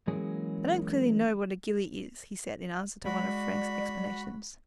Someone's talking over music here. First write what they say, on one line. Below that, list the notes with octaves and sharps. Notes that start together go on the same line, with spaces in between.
"I don't clearly know what a gillie is," he said, in answer to one of Frank's explanations.
E3 F#3 G#3 A#3 C#4 G#4
G#3 F#4 D5 B5